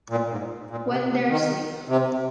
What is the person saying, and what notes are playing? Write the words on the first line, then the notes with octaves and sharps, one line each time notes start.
When They're Asleep.
A#2
G#2
A#2
C3
C3
D#3
C3